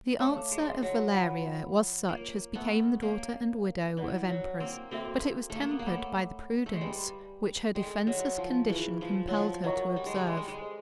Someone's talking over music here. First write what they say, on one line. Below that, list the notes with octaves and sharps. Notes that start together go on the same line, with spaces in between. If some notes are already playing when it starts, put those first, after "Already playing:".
The answer of Valeria was such as became the daughter and widow of emperors, but it was tempered by the prudence which her defenceless condition compelled her to observe.
A3 C#5 F5 A5 D6
G#3
F#3
F3 C#5 F#5 B5
A#3 F4 A#4 C#5
A3 B3
A#3 A#4 C#5 F5
E3 B4 D5 F#5
F#3
A#3 C4
A#3 C4 F#4 A4 C5 E5
A3
A#3
B3
A#3
A3 C#5 F#5 B5 D6
A3
G#3
G3 B4 D5 F5 G#5 B5
G#3 A4 D5 G5
F#3
F3
E3 F4 G#4 B4
F3
F#3
F3
F#3 A#4 D#5 F#5 A#5 C#6
G3
G#3
G3
G#3
G3
G#3
A4 C5 D#5